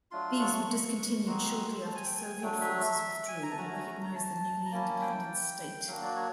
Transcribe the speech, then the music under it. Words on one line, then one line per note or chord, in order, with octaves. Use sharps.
These were discontinued shortly after Soviet forces withdrew and recognized the newly independent state.
F#3 A3 D4 F4 C6
C#6
G#3 C4 D#4 F#4 C6
A5
G#5
G5
G#5
F#3 A3 D4 G5
E5
G#5
A#5
A5
A3 C#4 F#4 A#5
A#5
A5
A#5
A#3 C#4 E4 A5
G5
F#3 A#3 D4 F#4 F5
D5
C#5